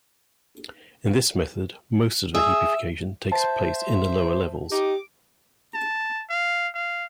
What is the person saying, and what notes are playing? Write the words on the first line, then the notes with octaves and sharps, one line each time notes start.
In this method most of the heapification takes place in the lower levels.
G#4 E5
C5 E5 A5
D#4 G4 D6
A5
F5
F5